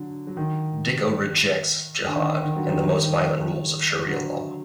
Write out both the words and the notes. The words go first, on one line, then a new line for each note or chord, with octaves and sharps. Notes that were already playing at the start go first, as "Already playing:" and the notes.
Dicko rejects jihad and the most violent rules of Sharia law.
Already playing: D3 F#3
F#3
D#3
D3
D#3
D3
D#3
D3 F#3
D#3 G3
D#3 G3
D#3 G3
D3 F#3